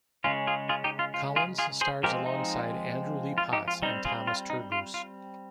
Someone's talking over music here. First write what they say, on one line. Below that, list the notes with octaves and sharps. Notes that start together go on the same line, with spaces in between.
Collins stars alongside Andrew Lee Potts and Thomas Turgoose.
C#3 G#3 C#4 F4
F4 G#4
F4 G#4
D#4 G4
F4
F4
F4 G#4
F4 G#4
G#4 C5
F3 G#3 C4 G4 A#4
D#4
F4
D#4 G4
F4
G3 C4 D#4
F4 G#4
F4
D#4
F4
F4